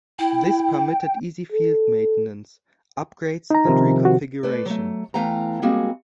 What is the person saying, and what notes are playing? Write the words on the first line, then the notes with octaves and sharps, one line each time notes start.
This permitted easy field maintenance, upgrades, and reconfiguration.
E4 G5
A4
D#4 A#5
C3 D#3 F3
F#4
A3 B4 D5
F#3 A3
E2 E3 A3 F5 G5 A#5
G3 G#3 A#3 C4 F#4 G#4